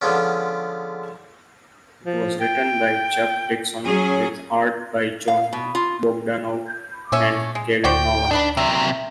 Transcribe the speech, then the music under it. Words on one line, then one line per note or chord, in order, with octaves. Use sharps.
It was written by Chuck Dixon, with art by Jon Bogdanove and Kevin Nowlan.
D3 F3 G#3 B3 C#4
F3
G5
F#3 C#4 G#4
F5
B2
F4
A#2 A3 C#4 E5
G#3
D2 F#4 C5 D5 G5
D4 D#4 B4 B5
C3 F#3 E5